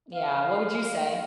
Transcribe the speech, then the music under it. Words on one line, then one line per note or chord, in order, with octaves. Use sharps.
Yeah, what would you say?
F5